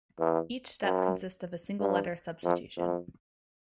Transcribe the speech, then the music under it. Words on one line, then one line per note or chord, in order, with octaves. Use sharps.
Each step consists of a single letter substitution.
E2
F#2
G2
F2
F2